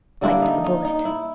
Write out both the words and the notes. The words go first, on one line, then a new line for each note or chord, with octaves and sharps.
Bite the bullet.
D3 G3 A#3 D4 E4
D#4
D#4
D#4
E4